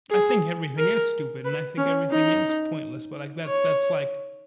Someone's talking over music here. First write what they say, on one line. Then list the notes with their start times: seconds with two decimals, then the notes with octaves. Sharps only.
I think everything is stupid and I think everything is pointless, but like that that's like
0.11 G#4
0.78 A#4
1.45 B4
1.78 C#4
2.11 D#4
3.45 C#5